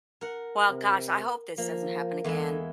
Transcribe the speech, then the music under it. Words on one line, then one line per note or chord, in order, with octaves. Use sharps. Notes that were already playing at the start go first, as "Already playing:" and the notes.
Well, gosh, I hope this doesn't happen again,
A#4 F#5
C3
F3 A#3
E2 G#3 E4 A4